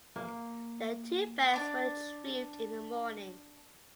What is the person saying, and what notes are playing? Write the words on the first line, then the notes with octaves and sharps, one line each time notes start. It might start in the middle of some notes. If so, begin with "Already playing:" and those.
The two bells were retrieved in the morning.
A#3
D4 D6